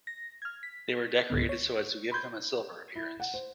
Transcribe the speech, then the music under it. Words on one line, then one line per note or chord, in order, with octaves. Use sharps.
They were decorated so as to give them a silver appearance.
A#6
F6 G#6
B6
C#2 G#2 D3 B3
C#5
B5 C6 G6 G#6
E4
F#5
C5